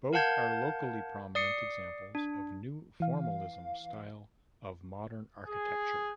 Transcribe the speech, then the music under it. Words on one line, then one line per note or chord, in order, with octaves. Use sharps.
Both are locally prominent examples of New Formalism style of Modern architecture.
A#4 F5 F#5 A5 G6 G#6
D5 D#6 C7 C#7
D4
E3 F5
G#4